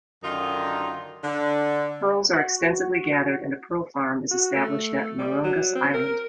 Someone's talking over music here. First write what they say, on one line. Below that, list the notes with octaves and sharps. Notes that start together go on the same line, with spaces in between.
Pearls are extensively gathered and a pearl farm is established at Marungas Island.
F#2 D3 D#3 D#4 F4
D3
F#4
F#4
A3
G3
F#3
C4
A#4